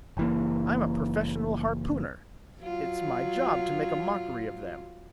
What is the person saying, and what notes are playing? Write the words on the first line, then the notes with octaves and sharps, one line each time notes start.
"I'm a professional harpooner! It's my job to make a mockery of them!"
F#1 E3 A#3
F#3 F4